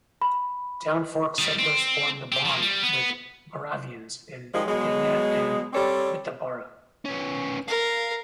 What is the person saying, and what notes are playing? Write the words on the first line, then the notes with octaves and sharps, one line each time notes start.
Town Fork settlers formed a bond with Moravians in Bethania and Bethabara.
B5
D#3 G3
C4
C4 G4
F3 A#3
G3
B3
D#3 F3 G3 G#3
B2 F#3 G#3
G3 C4 A4 C#5 D5
B3 C#4
A#4 F5